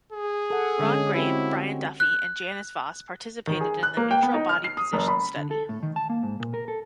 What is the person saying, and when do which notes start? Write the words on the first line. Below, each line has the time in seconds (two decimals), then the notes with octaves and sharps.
Ron Grabe, Brian Duffy and Janice Voss participated in the Neutral Body Position study.
0.12 G#4
0.50 A4 F#5
0.80 D3 G#3 C#4
1.14 C4 E4 F#4 G4
2.00 F#6
3.47 D#3
3.61 G#4
3.83 F#6
3.97 A#3
4.11 G5
4.23 B3
4.34 D#4
4.49 F6
4.64 C7
4.77 D#6
4.93 F#1
5.08 B5
5.36 D3
5.51 A4
5.69 A2
5.83 D#3
5.96 A5
6.10 A#3
6.23 G#2
6.40 A#2
6.54 A#4
6.68 A4